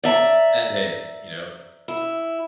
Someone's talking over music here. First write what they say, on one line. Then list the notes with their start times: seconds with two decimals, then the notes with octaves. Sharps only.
And, hey. You know?
0.04 D5 E5 A5 A#5
1.88 E4